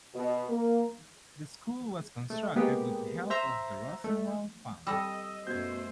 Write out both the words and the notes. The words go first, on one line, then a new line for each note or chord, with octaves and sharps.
This school was constructed with help of the Rosenwald Fund.
B2
A#3
A3
G#3 A#3 B3 G4
C5 E5 A#5
A3
G3 C4 A4 D#5 E6 A#6
F#2 B2 A3 C5 G6 G#6